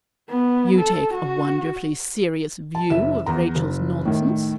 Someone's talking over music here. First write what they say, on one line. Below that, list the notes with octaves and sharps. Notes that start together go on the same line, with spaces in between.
'You take a wonderfully serious view of Rachel's nonsense.'
B3
A4
F#4
A5
F#1 E5 E7
E2 A#5
F#1
A2 D#3